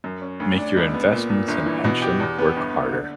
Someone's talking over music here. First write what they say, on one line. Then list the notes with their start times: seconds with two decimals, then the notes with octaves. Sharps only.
Make your investments and pension work harder.
0.04 F#2
0.22 C#4
0.40 D2
0.57 D4
0.77 C#2
0.94 B3
1.13 A#2
1.30 A#2
1.48 G1
1.66 E3
1.84 B2
2.02 G4
2.20 E2
2.38 B3
2.57 G1
2.74 A#3
2.92 D3